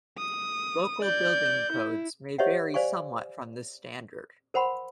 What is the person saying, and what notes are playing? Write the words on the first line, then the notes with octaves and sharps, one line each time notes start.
Local building codes may vary somewhat from this standard.
D#6
D5 G6
E4
G4 C5 C#5 D#5 E5 F#5
C5 D5 F5 G#5 C#6
A#4 C5 F#5 B5 C6